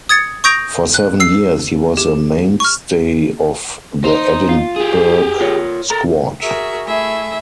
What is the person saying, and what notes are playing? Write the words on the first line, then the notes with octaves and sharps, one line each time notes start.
For seven years he was a mainstay of the Edinburgh squad.
D#6 G#6 A6 C#7
C#6 D#6 G6 A#6 D7 F7
F#6
E6 C7
G4
C#6 F6
D#4 C5
F4
G4 G#4
F4 A#4 C#5
A4 A#4 A#5
F#4 G#4 A#4 E5
A3 E4 G#4 E5